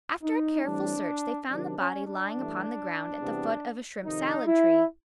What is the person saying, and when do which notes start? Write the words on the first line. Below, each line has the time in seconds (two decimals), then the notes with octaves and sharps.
After a careful search they found the body lying upon the ground at the foot of a shrimp-salad tree.
0.23 D#4
0.65 A2 E3 G3 C4 D4
1.50 C3 D#3 F#3 D4
1.78 C#4
2.07 D4
2.34 G2 E3 A3
3.19 E2 C3 E3 G3 B3
4.05 F2 C3 D#3 D#4
4.47 E4